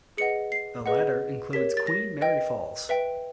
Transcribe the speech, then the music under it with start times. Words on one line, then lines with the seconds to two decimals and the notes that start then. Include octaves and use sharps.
The latter includes Queen Mary Falls.
0.17 G#4 B4 D#5 F#5 C#7
0.52 C7
0.86 G#4 B4 D#5 F#5
1.53 G4 A#4 C#5 B6
1.77 A6
1.87 A#6
2.21 B4 D#5 G5
2.89 B4 E5 G5